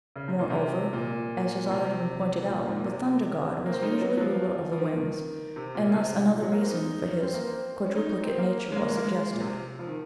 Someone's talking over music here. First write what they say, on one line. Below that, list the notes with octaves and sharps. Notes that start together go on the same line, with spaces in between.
Moreover, as has already been pointed out, the thunder god was usually ruler of the winds, and thus another reason for his quadruplicate nature was suggested.
C#3
C3
A#2
C3
A#2
A#2
C3
A#2
A#2
G#2
A#2
C3
A#3
C4
D#4
C#4
F#3
F#3
F3
F3
D#3
C3
A#2
C#3
C3
G#2
A#2
F#3
A#3
C4
D#4
C#4
C4
A#3
C4
C#4
D#4
D#4
C4
A#3
C#4
G#3
A#3
G#3
A#3
G#3
A#2
C3
F3
D#3